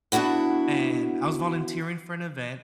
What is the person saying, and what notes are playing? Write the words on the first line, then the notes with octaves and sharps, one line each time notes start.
and I was volunteering for an event,
B3 D4 E4 F#4 F#5